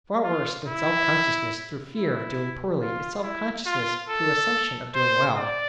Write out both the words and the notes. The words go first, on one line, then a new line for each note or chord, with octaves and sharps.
Far worse than self-consciousness through fear of doing poorly is self-consciousness through assumption of doing well.
F4
E4
E4
F4
E4
F4
A4
C5
D5